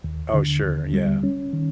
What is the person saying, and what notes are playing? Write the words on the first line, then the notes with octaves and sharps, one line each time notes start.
Oh, sure. Yeah.
D#2
D3
D#2
G3
C#4
D#3